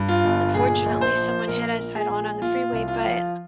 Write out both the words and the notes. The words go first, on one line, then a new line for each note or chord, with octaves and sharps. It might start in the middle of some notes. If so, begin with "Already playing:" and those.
unfortunately, someone hit us head-on on the freeway, but
Already playing: G2
F4
G1
A#2 G#4
A#1
C5
F3
A#1 A#4
A#2
G#4
A#1
A#2 F4
C2
F4
F3